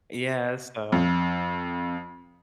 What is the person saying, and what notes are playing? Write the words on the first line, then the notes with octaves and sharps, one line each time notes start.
Yeah, so
F2